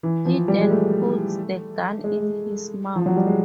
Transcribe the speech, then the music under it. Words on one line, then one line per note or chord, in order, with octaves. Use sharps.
He then puts the gun in his mouth.
E3
F3
G3
G#3
A3
G#3
F3
F#3
G3
G#3